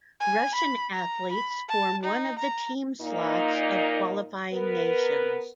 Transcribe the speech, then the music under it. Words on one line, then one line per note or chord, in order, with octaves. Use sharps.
Russian athletes form one of the team slots of qualifying nations.
G#5
B5
A#5
B5
A5
D#4
A#5
A#2 A#3 D#4
B3 A#4 B4